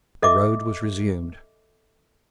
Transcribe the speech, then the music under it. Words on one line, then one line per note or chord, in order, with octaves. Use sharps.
The road was resumed.
A4 D#5 E5 D6